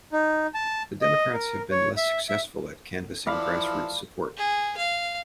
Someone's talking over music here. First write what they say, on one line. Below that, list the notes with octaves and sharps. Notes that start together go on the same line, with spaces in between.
The Democrats have been less successful at canvassing grass-roots support.
D#4
A5
D#5
A#4
C#5
E5
E5
E3 F3 A4 D5 F5 B5
G#4
F5